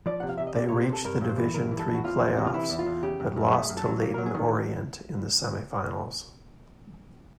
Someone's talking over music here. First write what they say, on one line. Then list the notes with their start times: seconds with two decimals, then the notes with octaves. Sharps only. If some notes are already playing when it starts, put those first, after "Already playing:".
They reached the Division Three playoffs, but lost to Leyton Orient in the semi-finals.
0.06 F3 D5
0.20 C3 F#5
0.29 F5
0.38 C3 E5
0.47 D#5
0.55 C3 D5
0.68 C3 C#5
0.81 C5
0.88 C3 A4
1.05 G2 A#4
1.21 G2
1.29 C5
1.38 E3
1.54 G2 A#4
1.71 E3
1.79 A4
1.88 E3
1.94 F#4
2.04 E2 F4
2.20 E2
2.37 C3 F#4
2.46 F4
2.54 E3 E4
2.70 E2
2.79 F4
2.86 E2
3.03 C#3 G4
3.20 F#2
3.36 F#2
3.52 A3 G#4
3.69 F#2
3.77 A4
3.85 F#3
4.02 A#3
4.14 F#3 A#4
4.26 G#4
4.34 D#3